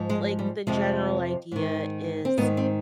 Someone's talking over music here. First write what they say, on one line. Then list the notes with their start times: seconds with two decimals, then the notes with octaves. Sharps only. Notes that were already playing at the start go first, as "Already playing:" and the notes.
like, the general idea is
Already playing: G#2 F3
0.10 G#3
0.39 G3
0.67 F2 C3 F3 G#3
1.52 G#2 D#3
2.25 C4
2.38 G#2 D#3 B3
2.57 C4